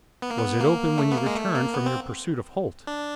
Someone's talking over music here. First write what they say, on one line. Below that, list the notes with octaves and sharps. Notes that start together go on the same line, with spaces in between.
'Was it open when you returned from your pursuit of Holt?'
B3
A#3
B3
A#3
A3
B3
A#3
G#3
A3
A#3
B3
C4
D4